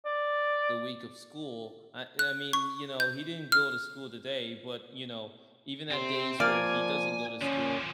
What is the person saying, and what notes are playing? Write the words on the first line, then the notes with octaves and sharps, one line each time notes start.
the week of school, uh, I mean, you know, he didn't go to school today, but, you know, even at days where he doesn't go to school,
D5
F#6
C#6
G6
F6
C3 C4 C6
F3 A#3 D5 G#5
D3 F3 C#4